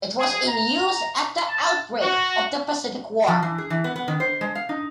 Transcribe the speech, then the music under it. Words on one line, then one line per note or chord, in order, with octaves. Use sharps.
It was in use at the outbreak of the Pacific War.
G#4
A#5
A5
F#4
F3
E3
G#4
E3
B3
B3
D#3
C5
G#3
F5
D#4